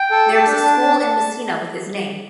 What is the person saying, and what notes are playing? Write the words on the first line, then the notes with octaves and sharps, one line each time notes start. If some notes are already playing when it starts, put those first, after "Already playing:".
There is a school in Messina with his name.
Already playing: G5
A4
G4 A5
D4
D4
D4
D4